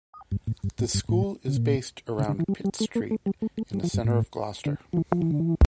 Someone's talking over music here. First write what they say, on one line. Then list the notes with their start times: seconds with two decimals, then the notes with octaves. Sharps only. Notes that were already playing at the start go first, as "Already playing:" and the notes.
The school is based around Pitt Street in the centre of Gloucester.
0.32 G2
0.47 A2
0.64 G2
0.79 A2
0.94 G2
1.09 A2
1.48 C#3
1.57 A#2
2.18 C#3
2.29 D3
2.39 E3
2.48 G3
2.64 G3
2.80 A3
2.95 A#3
3.11 A3
3.26 G3
3.42 A3
3.58 A3
3.74 G3
3.83 F3
3.94 G2
4.05 A2
4.66 D3
4.93 F3
4.97 E3
5.12 F3
5.22 E3
5.31 D3
5.40 E3